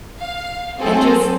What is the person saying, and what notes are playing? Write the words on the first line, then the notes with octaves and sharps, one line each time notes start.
and just
F5
F#3 C4 G#4 A4